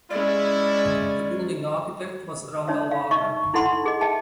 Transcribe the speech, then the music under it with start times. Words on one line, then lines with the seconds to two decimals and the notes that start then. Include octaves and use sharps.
The building architect was Randall Wagner.
0.10 G#3 C#4 E4 D5
2.68 D4 D#4 C#5 E5
2.91 F5
3.11 D#4 D#5 E5 C#6
3.54 D#4 E4 A4 F#5 B5 C6
3.83 D#4 G#4 D#5
4.01 D#5 E5 G5 A5